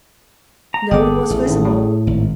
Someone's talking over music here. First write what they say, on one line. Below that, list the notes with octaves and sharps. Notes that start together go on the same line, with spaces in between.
No one was visible.
A#5
G1 B3 G#4 A4 G5 D6
A1
A2 D#3 C#4
A2
G#1